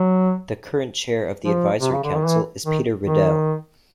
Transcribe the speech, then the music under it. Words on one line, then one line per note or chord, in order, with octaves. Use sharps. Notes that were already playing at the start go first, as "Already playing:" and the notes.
The current Chair of the Advisory Council is Peter Riddell.
Already playing: F#3
F3
C3
C#3
D3
D#3
E3
D#3
D#3